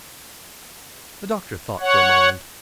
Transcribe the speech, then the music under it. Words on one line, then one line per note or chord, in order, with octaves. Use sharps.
The doctor thought for a moment.
C#5 F#5